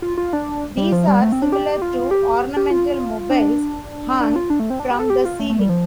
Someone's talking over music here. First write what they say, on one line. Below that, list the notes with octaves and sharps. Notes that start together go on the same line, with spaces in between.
These are similar to ornamental mobiles hung from the ceiling.
F4
F4
D4
G3
F3
G3
A3
C4
D4
G4
F4
G4
G4
F4
D4
D4
F4
D4
A3
C4
D4
G4
A4
G4
F4
A3
A3
G3
F3